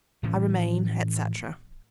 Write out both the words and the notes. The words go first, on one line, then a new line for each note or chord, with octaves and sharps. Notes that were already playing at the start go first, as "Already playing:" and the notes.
I remain, etc.
A2 E3 F3 C#4